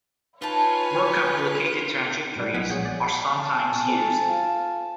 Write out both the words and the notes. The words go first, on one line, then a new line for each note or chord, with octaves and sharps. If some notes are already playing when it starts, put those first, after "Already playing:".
More complicated trajectories are sometimes used.
D#4 F4 B4 C#5 G#5 A5
G#2 B2 G3
B1 G#3 B3 F#6 G#6 B6
A#1 G#4 C#5 F#5 G6
D5
G#5 A5
F2
F4